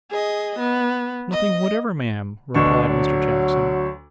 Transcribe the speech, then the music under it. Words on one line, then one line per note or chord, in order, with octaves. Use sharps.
'Nothing whatever, ma'am,' replied Mr. Jackson.
G#4 D#5
B3
D#5
D2 B2 D4 C#6
F#3